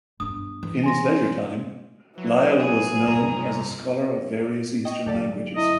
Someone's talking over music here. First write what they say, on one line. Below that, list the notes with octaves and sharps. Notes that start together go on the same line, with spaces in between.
In his leisure time Lyall was known as a scholar of various Eastern languages.
G2 B3 D#6
E3
G#5 C6 A#6
E3 F#3
G#4
C2 G2 A3 A#5
C3
D#5 G5 C#6
F#2 D3 F#3 D4 G4 A4 D5 F5
E4 D#5 E5